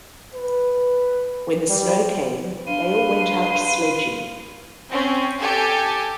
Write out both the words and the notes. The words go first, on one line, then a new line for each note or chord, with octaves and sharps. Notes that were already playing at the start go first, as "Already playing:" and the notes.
When the snow came, they all went out sledging.
B4
G3
D4 B4 F5 C6 D#7
C4 C#4
G4 A4 G#5